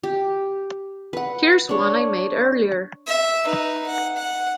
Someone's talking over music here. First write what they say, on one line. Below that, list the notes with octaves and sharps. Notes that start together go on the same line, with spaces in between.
Here's one I made earlier!.
G4
B4 F#5
D4 C#5
E5
D#4 B4
F#5
F#5